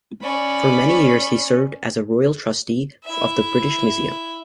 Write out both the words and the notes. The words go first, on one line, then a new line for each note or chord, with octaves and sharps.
For many years he served as Royal Trustee of the British Museum.
C#4 D5 B5
E4 E5